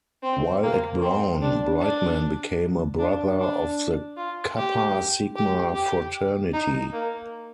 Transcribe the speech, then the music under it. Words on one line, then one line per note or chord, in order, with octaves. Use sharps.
While at Brown, Brightman became a brother of the Kappa Sigma Fraternity.
C4
A#3
C4
D4
D4
D4
D4
F4
G4
G4
G4
D#4
A#3